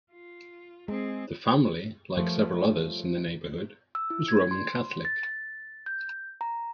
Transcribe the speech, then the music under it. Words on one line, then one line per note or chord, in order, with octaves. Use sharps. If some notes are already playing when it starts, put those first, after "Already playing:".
The family, like several others in the neighbourhood was Roman Catholic.
F4
G#3 C4 G#4
F3 G3 A3 F4 A#4 C#5
E6
E4
G#6
C6
A6
G6
A#5